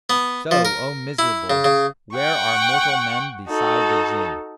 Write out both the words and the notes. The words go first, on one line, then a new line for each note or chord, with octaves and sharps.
So, O miserable! where are mortal men beside the Jinn?
B3
F3
A#4
E4
C#3
C#3
F#5 G5 C#6
D#4 F#4 A4